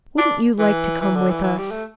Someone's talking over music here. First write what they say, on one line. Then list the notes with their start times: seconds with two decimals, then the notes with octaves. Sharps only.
Wouldn't you like to come with us?'
0.18 D4
0.59 E3
1.01 E3
1.16 D3
1.30 E3
1.43 E3
1.58 G3
1.71 A3